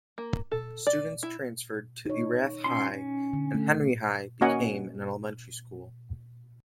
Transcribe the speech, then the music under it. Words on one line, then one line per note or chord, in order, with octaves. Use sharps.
Students transferred to Erath High, and Henry High became an elementary school.
A#3
A4
D5
E4
D#4 C#5
C#4 F4 C6
C#4
D3
A3
A#3 C#4 F#4 D#5 F#5 G#5